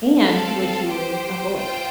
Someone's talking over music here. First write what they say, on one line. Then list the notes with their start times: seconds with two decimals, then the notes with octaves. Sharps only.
And would you avoid?
0.19 C4 A4 F5 A5
0.86 G4 C5 G5
1.53 F4 C5 G5